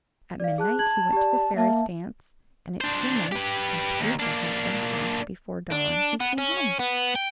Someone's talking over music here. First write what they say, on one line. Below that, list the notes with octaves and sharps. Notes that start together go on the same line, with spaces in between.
At midnight he went to the fairies' dance; and at two minutes and three seconds and a half before dawn he came home.
D5 F5
G#4 A5 F#6
A5 G#6 F#7
G4 D5
A#3 E5 A5
D4 C5
G4 B4
D#2
A#3 D4
D4
B3
C#4
B3
G5